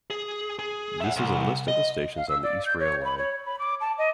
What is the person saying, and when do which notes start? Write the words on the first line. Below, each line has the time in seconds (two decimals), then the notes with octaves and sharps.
This is a list of the stations on the East Rail Line.
0.10 G#4
0.59 G#4
1.00 E5 F#5
1.17 C2
1.68 D#5
2.17 F5
2.29 E6
2.43 D5
2.66 G6
2.80 C#5
3.05 B5
3.18 C#5
3.46 B5
3.59 D6
3.81 A5
3.98 D#5